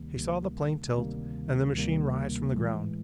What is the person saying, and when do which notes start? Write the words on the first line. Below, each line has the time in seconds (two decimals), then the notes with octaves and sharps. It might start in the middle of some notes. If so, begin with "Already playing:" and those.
He saw the plane tilt and the machine rise from the ground.
Already playing: D2 C3 D#3 G3 A#3
0.16 D2 C3 D#3 G3 A#3
0.96 D2 C3 D#3 G3 A#3
1.75 D2 C3 D#3 G3 A#3
2.56 A2 E3 G#3